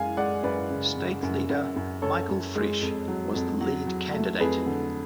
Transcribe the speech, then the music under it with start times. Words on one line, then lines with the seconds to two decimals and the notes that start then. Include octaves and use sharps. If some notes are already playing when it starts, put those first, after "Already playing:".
State leader Michael Frisch was the lead candidate.
Already playing: F#2 G#3 F5 G#5
0.17 G#3 D5 F#5
0.43 F#2 B4 D5
0.70 C#3
0.97 C#3
1.23 F#2
1.49 F#2
1.76 F#2
2.02 F#2 A4 C#5
2.29 F#2
2.55 G#3
2.82 F2
3.08 F#3
3.35 F2
3.61 F#3
3.87 F#3
4.14 A3
4.40 F2 G#4 B4
4.66 D3